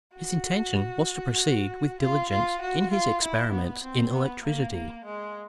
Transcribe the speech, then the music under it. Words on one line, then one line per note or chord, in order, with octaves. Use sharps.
His intention was to proceed with diligence in his experiments in electricity.
F#4
F4
F4
F#4
F4
E4
B3
C4
B3
A#3
A#3
G#3